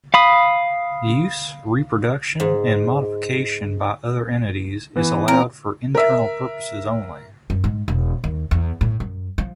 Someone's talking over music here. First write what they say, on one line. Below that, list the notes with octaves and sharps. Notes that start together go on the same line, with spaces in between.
Use, reproduction and modification by other entities is allowed for internal purposes only.
F5 B5 D#6
G#2
E3 B3
C4 A#4
A#4 E5
F#2
G#2
E1
D#2
E2
A2
F#2
F3